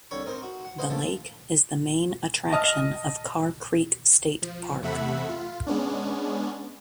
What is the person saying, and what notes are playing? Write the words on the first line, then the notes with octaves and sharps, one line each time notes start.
The lake is the main attraction of Carr Creek State Park.
C2 D3 C#5 B5 C#6
C4 D#4 A#4 C5
F#4
F#5
B4 C5 D#5 F5 F#5
D#2 D3 F3 A3 D4
D#5 A5 D#6 F6
F3
E2 C3 A3 E5 F#5 B5
F4
G#3 B3 C#4 D4